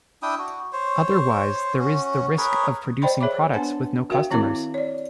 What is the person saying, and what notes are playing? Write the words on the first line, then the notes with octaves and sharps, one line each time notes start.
Otherwise there is the risk of producing products with no customers.
D4 E4 G5 D#6
F#4
C5 C#5
C#4 F#4
G#4 A#4 B4 C#5
C5 D5 D#5 G5 B5 C6
G#4 C#5 E5 B5 D6
B3 D4 B4 F#5 G#5
F#4 A#4 E5 F5 G5
D#3 C4 E4 A#4 D6
C#5 D5